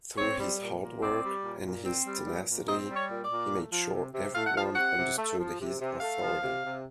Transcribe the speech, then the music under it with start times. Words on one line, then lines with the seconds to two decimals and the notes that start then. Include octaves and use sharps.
Through his hard work, and his tenacity, he made sure everyone understood his authority.
0.18 C4 C#5
0.39 G3
0.61 A#2
0.82 A#2
1.02 C4 D5
1.23 G3
1.43 A#2
1.64 A#2
1.85 C4
2.06 G3
2.26 A#2
2.48 A#2
2.68 C4 D#5
2.89 G3
2.96 C#5
3.10 A#2
3.24 D5
3.30 A#2
3.51 A3
3.72 F3
3.92 C3
4.13 C3
4.35 A3 F5
4.46 F#5
4.56 F3 F5
4.75 C3 F#5
4.97 C3
5.17 A3
5.38 F3
5.60 C3
5.80 C3
6.01 A3 F5
6.21 F3
6.42 C3
6.64 C3